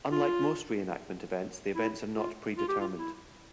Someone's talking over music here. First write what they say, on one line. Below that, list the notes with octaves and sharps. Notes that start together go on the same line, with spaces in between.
Unlike most reenactment events, the events are not pre-determined.
F4
E4
F4
F4
G4
F4
E4